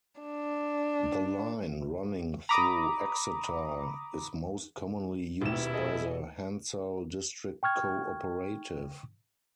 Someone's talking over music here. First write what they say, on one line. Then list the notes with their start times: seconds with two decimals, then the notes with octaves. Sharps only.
The line running through Exeter is most commonly used by the Hensall District Co-Operative.
0.20 D4
2.49 A#5 B5 D6 D#6
5.42 D#1 B2 E4 G4 E6 E7
5.73 G#4 A4 D#5
7.63 G5 C#6 F6 G#6